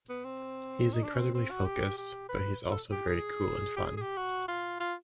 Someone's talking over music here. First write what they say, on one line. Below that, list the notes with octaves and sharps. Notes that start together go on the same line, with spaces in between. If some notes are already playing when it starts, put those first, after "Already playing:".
He's incredibly focused, but he's also very cool and fun.
B3
C4
D#4
D4
C#4
C4
C4
F#4
G4
G4
B4
A4
G4
G#4
G4
G#4
G#4
G4
F#4
F4
F4